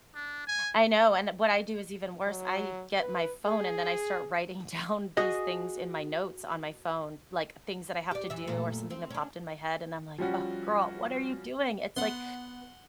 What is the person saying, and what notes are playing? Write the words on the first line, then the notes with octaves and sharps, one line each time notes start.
I know, and, eh, what I do is even worse. I get my phone, and then I start writing down these things in my notes on my phone, like, things that I have to do, or something that popped in my head, and I'm like, "Oh, girl, what are you doing? It's, like,
D4
G#5
F#3
B4
G#4
F#4 G#4 D#5
G4 D5
F#2 E3 E5
F#2 A#2 A3
C4
C#4 D4
F3 G3 C#4 F#4
B3 F#5 C6